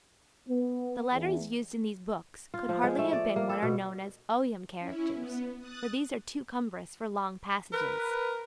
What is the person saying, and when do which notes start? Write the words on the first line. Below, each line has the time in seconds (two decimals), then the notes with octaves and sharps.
The letters used in these books could hardly have been what are known as Ogham characters, for these are too cumbrous for long passages.
0.49 B3
1.13 E2
2.54 F4
2.69 F3
2.83 G#3
2.98 A3
3.13 D5
3.36 A#3
3.49 A4
3.62 B2
4.79 C#4 E4
5.13 B3
5.58 D#6 F#6 A6
7.73 A#4 B4